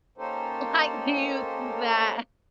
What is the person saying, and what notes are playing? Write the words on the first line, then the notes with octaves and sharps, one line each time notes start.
Like, do you think that
A#3 C#4 D#4 G4 A4 C5